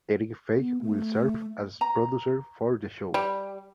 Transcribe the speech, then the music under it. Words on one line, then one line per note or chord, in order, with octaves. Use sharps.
Erik Feig will serve as producer for the show.
B3
A3
A#5
G3